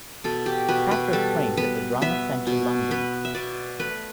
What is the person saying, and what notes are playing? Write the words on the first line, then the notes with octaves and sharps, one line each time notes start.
Patrick trained at the Drama Centre London.
B2 A4
G4
B2 B4
B4
G3 A4
B3 B4
B3 E5
B2
B3 B4
E5
B2 D5
A3 B4